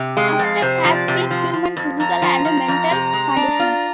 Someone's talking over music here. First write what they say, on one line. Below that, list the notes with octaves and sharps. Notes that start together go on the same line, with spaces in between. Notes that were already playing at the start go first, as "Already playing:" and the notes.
Aztek has peak human physical and mental conditioning.
Already playing: C3
G#3 F5
G5
F2 F5
C3 C5
F3
D5
C3
C6
F3
F3
F2
F2 A#5
F3
F3
F2
C3
G#3
D4
F4